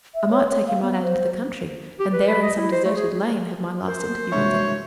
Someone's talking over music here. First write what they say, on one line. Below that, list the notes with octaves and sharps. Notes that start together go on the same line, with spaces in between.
I might take him right out into the country, and there in some deserted lane have my last interview with him.
E5
C#5
C#5
F5
B3
C5
G4
B4
B5
D#5
E4
C5
A3
G#4
A#4 C5
G2 C3 G#3 A#3 F#4 C#5 E5